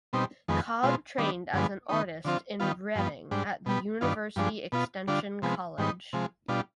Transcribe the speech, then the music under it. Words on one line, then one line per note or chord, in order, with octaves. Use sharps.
Cobb trained as an artist in Reading at the University Extension College.
B2 G3 C4 D#4
F2 D#3 G#3 B3
B2 G#3 C4 F4
D#3 G3 B3 D4
G2 D3 F3 G#3 B3
D#3 B3 D#4
D3 F3 C4 F4
D#3 G3 B3 F4
G2 F3 B3
G#2 G3 D4
B2 G3 B3
G2 D#3 B3 D4 F4
G2 F3 G#3 D4
B2 B3 F4
D3 G3 D4 F4
C3 F3 G#3 B3
G#2 D#3 G3 B3 D#4
C3 F3 G#3
B2 G3 D4 F4